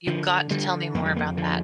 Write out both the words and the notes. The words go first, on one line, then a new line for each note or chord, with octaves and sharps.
You've got to tell me more about that.
D3 F3
D3 G3
F2 A#3
G3
A#3
D3 F3